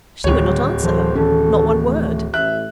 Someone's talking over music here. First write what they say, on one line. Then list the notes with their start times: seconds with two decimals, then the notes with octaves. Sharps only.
She would not answer her--not one word.
0.24 D1 D2 D#3 G3 C#5
0.83 E3 F#3 A#3 A4 C5
1.15 D#3 E3 C#4 A4
1.86 A3
2.33 A1 E5 F#6